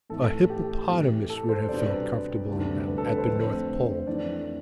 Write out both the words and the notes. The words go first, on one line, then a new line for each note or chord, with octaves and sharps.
A hippopotamus would have felt comfortable in them at the north pole.
A2 E3 A3 A4
G4
A2 E3 A3
A4
C5
C2 B2 G3 B3 D4 D5
D2 C3 G3 B3 D4
B4
A4
B4
C5
F2 D3 A3 C4
F2 E3 A3 D4 D5